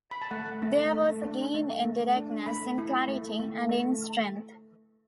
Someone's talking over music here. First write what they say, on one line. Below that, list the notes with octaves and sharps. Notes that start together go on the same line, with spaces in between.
There was a gain in directness, in clarity, and in strength.
B5
A5
A3 F#5
A3
A3
D4
A3
A3
D4
A3 B5
E4
A3
A3
A3